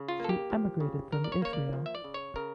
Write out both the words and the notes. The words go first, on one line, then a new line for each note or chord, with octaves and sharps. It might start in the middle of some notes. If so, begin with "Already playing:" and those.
She emigrated from Israel.
Already playing: C#3
F4
A#3 A4
G4
F3
C#3
C#3 A#4
D5
C#5
A#3 C#5
D5
F3
E5
D5
C#3
C#5
C#3 A#4